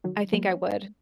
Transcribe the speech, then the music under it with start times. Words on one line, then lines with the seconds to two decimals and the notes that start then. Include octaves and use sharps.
I think I would.
0.04 D#3 F#3
0.33 F#3 A#3
0.51 C#4